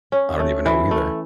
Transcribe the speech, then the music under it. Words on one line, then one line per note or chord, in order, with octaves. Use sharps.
I don't even know either.
C#4
A3
E3
A3